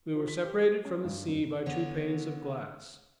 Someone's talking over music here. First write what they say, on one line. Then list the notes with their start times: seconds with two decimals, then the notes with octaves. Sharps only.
We were separated from the sea by two panes of glass.
0.15 F3
0.28 B6
0.45 G4
0.85 C#4
1.04 G2
1.28 F#2
1.66 D3 B3 C#5